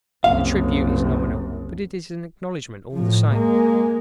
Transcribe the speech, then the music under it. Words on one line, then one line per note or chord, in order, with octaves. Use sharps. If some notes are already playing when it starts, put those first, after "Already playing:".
The tribute is nominal, but it is an acknowledgment all the same.
F#1 C2 F5
A2 F3
G#3 A#3